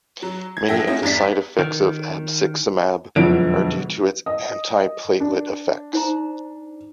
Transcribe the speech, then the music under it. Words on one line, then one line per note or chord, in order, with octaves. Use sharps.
Many of the side effects of abciximab are due to its anti-platelet effects.
F#3
G#6
A#1 A4 E5 F#5 G5 A#6
A3 C4 C#4 D#4 E4 F#4
E2 G2 D4 A6 B6
D#3
E1 F2 D3 F3 F#3 D7
D#5
D4
D#4 C5 A#5